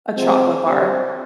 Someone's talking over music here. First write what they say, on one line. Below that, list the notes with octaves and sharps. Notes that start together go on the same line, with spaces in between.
a chocolate bar.
C3 F3 G#3 C4
D3 G3 C4